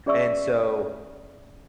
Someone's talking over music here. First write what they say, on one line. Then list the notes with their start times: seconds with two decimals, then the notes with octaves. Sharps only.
and so
0.06 C#4 G#4 D5 E5 C#6 E6